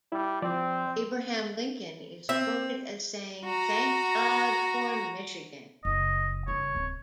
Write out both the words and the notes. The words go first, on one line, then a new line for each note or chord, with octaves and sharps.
Abraham Lincoln is quoted as saying Thank God for Michigan!
G3 E4
F3 C4 D5
C4 E5
F#4 A#5
F#1 D#5
F#1 G2 C#5
D1 C3